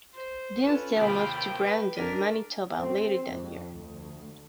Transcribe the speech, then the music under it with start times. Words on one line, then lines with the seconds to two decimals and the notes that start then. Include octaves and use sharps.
Dinsdale moved to Brandon, Manitoba later that year.
0.14 C5
0.64 C#4 F4 A4 B4 E7
0.96 D#2 C3 F4 G5 B5
1.62 B4
1.97 D4 A#4 B6 D#7
2.77 C4
3.27 F2
3.73 D2